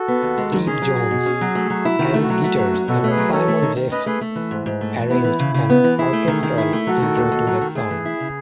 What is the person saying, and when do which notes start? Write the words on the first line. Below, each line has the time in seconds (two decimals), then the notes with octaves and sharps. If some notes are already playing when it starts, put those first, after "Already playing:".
Steve Jones added guitars and Simon Jeffes arranged an orchestral intro to the song.
Already playing: F#4 A4
0.08 B3
0.22 D#2
0.38 G#3
0.52 D#3
0.67 C#4 G#4
0.82 F#3
0.96 F#4
1.11 B2
1.26 C#4
1.41 F#3
1.55 A3
1.70 F#3
1.85 E4
1.99 D#3 F#4
2.14 A3
2.22 F#4
2.30 F#3
2.44 A3
2.58 F#3
2.73 C#4
2.88 B2 F#4 A4
3.04 A3 C#5
3.10 G#4 B4
3.17 F#3
3.33 C#4 A4 C#5
3.48 A3
3.62 D#3
3.76 D#3
3.91 C#4 B4 D#5
4.06 A3 G#4 B4
4.21 A3
4.35 E3
4.51 G#2
4.66 G#2
4.81 A3
4.95 E3
5.10 B3 E4
5.24 E3
5.40 C#3
5.54 C#3
5.70 B3
5.84 E3
5.98 E4 G#4
6.13 A3
6.28 D#3
6.43 D#3
6.58 E4
6.73 A3
6.87 F#3 F#4 A4
7.02 D#3
7.17 D#2
7.32 D#2
7.47 F#3
7.61 D#3
7.75 A3 G#4
7.91 E3
8.05 E4
8.20 C#3